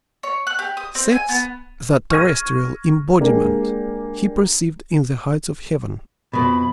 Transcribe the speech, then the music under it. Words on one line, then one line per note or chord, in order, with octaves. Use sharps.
Sex, that terrestrial embodiment, he perceived in the heights of heaven.
C#5
F#6
G4
D#6
C4
G#5
B3
C#6 F6 G#6 A#6 D#7
G#3 A#3 D4 G4
F2 B2 B5